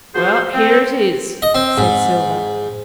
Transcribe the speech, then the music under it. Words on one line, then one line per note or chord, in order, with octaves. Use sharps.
"Well, here it is," said Silver.
F3 B3 F#4 G#4 C5
C4
D#5
C4
G#2